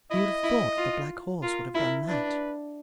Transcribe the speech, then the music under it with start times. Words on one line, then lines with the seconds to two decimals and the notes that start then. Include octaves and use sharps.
Who would have thought the black horse would have done that?
0.11 E4 D#5
0.43 E4
0.76 F4
1.42 F4 A#4
1.74 E4 A#4
2.08 D4 B4